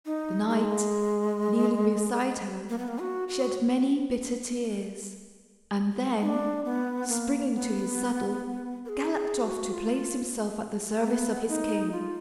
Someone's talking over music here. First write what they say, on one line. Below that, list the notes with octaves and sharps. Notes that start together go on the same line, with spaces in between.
The knight, kneeling beside her, shed many bitter tears, and then, springing to his saddle, galloped off to place himself at the service of his king.
D#4
G#3
A#3
B3
A#3
F#4
F#4
D#4
D4
B3
A#3
B3
A#4
G#4
G#4
F#4
F4
B3
D#4
F4